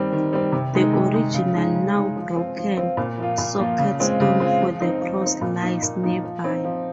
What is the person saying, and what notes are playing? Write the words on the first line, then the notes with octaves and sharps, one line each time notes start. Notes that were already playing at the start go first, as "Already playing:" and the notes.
The original, now broken, socket stone for the cross lies nearby.
Already playing: D#3 G3 C4
D#3
G3 C4
C3
D#3 G#3 D#4
C3
D#3 G#3 D#4
C#3
G#3 D#4
C#3
G#3 D#4
F3
C4 F4
F3
C4 F4
A#2
F3 A#3 F4
A#2
F3 A#3 F4
C#3
G#3 C4 F4
C#3
G#3 C4 F4
F3
C4 D#4
F3
C4 D#4
A#2
F3 A#3 D#4
A#2
F3 A#3 D#4
F3
C4 D#4
F3